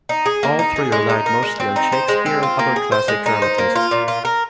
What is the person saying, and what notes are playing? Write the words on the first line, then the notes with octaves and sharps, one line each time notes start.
All three relied mostly on Shakespeare and other classic dramatists.
D#4
G#4
A#3
D#4
G#4
G#3
D#4
A#4
G#3
C4
D#4
C5
G#3
C4
F4
A#3
G#4
C5
G#3
D#4
C5
A#3
F4
A#2
F4
A#4